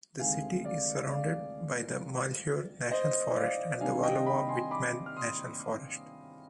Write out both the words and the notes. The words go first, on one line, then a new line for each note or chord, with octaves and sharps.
The city is surrounded by the Malheur National Forest and Wallowa-Whitman National Forest.
D2 C3 D#3 G#3 F5 G#5
D5 F5
D5 F5
C5 D#5
D5 F5
C3 D#3 G3 D4 F5 G#5
D#5 G5
G5 B5
G#5 C6
B5 D6
F6
C6 D#6